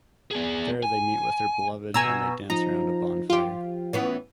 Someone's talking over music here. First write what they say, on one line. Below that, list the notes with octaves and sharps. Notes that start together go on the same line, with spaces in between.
There they meet with their beloved and they dance around a bonfire.
B3 G#4
G#5
B2 G#5 A#5 E6
F3 D#4 A#5
F3 F4 G4
E3 B3 C#4